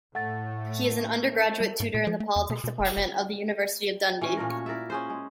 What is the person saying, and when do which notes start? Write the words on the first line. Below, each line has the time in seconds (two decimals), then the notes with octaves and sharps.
He is an undergraduate tutor in the Politics Department of the University of Dundee.
0.15 A2 A3 F#5 A6
1.60 G3
1.80 G#2
1.94 A#2
2.07 F3
2.20 A3
2.36 E2
2.50 B2
2.64 B2
2.80 F#1
2.97 F#1
4.21 E3 C#4
4.37 A#2 A3 A#4
4.50 F#4 C#5
4.66 E4 A#4 D5 E5
4.90 C#4 G#4 C5
5.10 G#3